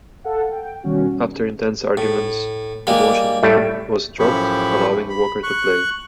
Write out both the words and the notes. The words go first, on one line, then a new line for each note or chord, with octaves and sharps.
After intense arguments, the motion was dropped, allowing Walker to play.
A4 F5 F#5
G5
B2 D#3 G3 C#4 F#4
A2
G3 G#3 A#3
A2 G3 A3
F#2 A2 F3 G4 B5 C#6
B5
C#6 F#6